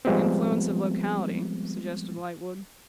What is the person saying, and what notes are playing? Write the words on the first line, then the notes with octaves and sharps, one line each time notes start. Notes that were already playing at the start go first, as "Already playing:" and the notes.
'Influence of locality,' suggested Lightwood.
F3 G3 G#3 B3 C4